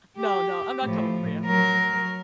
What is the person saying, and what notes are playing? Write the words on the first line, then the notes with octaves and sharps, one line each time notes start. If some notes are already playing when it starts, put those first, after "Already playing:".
No, no, I'm not coming for you.
G4
A2 F3
F#3 A#4